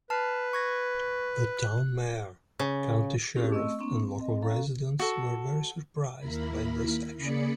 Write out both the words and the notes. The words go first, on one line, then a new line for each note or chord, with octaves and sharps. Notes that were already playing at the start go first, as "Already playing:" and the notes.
The town mayor, county sheriff, and local residents were very surprised by this action.
B4 A5 F6 C7
C#6 G#6 A#6
F#6
C#3
C4 C#4 E4 G4 G#4
A3 C4 D#5 C#6 E6
A#3 C4 D4 C#6
C4
C4 D#5
C#4 A4 F5 A#5
F#4 A4
D#2 A#3 E4 A#4 B5
C#3 A#3 G#4 D5 B5 C#7